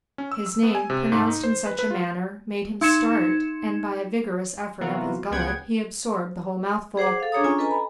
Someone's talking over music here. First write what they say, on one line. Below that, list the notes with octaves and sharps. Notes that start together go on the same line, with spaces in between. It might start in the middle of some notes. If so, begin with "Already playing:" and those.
His name, pronounced in such a manner, made him start, and by a vigorous effort of his gullet he absorbed the whole mouthful.
C#4
E6
E6
B3
G#5
C3
G#2
D#4
C5
B4
B4
F4
D#4 C6 G#6 C#7 E7
C3 E3 B3 F4 F#4 A#4
C#2 B3 G#4 F#5 G5 G#6
G#4 C5 F#5 D6
A4 F5
D4 G#4 C#5 A#5 D#6
C#4 D4 F4 G#5 A#5
A4 B4 D#5 G#5 A#5
B5